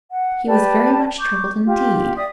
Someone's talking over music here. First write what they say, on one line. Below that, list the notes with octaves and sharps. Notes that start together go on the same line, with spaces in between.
He was very much troubled, indeed.
F#5
G4 B4 D5 A5
C#6 D6 G6
F4 G4
D5 E5 D#6